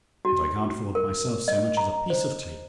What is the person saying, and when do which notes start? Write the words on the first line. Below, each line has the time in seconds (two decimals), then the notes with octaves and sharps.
And I can't afford myself so much as a piece of tape!
0.25 F#4
0.95 A#4
1.48 D#5
1.77 A#5
2.10 C5